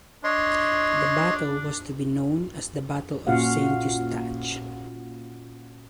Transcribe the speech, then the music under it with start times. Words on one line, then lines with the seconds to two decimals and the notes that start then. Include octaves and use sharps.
The Battle was to be known as The Battle of Saint-Eustache.
0.24 D4 C#5 D#5 C6
3.27 A#2 C#4 F4 F#4 F5 F#5